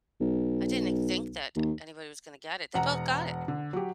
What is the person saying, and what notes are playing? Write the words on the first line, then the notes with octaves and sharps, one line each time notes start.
I didn't think that anybody was gonna get it, they both got it
B1
D#2
E1 F#5 A#5
D3
F#3 G4